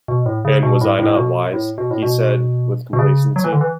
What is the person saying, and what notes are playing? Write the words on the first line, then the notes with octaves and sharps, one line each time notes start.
"And was I not wise?" he said, with complacency.
B2
A2
C#3
B2
A2
A2
A2
B2
A2
B2
A2
B2
B2
C#3
F#3
E3
D3
E3